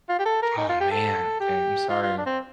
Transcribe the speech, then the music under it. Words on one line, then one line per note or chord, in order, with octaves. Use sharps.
Oh, man. Okay, I'm sorry.
F4
G4
A4
A#4
D#4
F4
G4
A4
G4
F4
F4
D4
C4